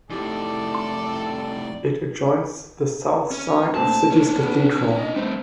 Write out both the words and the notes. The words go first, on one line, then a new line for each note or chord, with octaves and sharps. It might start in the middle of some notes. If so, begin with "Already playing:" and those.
It adjoins the south side of city's cathedral.
F2 A2 D#4 E4 G4 A4 D5
C#4
D2 A#2 C4 A5
C#4 D4
B3
D#5
G3 A3 C4